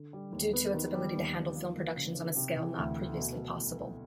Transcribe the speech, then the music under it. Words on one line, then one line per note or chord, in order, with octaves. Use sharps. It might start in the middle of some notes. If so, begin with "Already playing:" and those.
Due to its ability to handle film productions on a scale not previously possible.
Already playing: D3
G3
D#2
B3
D#3
G3
D#2
D#2
F3
A#3
C#3
D#4
C3
E3
D2
A3
B2
F#3
C2
A3